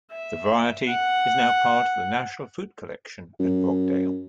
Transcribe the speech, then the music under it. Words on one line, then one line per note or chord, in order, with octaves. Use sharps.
The variety is now part of the National Fruit Collection at Brogdale.
E5
F#5
F#2